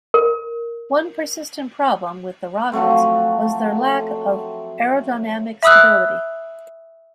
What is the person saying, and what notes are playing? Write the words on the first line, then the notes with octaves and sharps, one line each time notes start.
One persistent problem with the rockets was their lack of aerodynamic stability.
A#4
F3 F#3 A3 C4
E5 B5 D#6 E6 F#6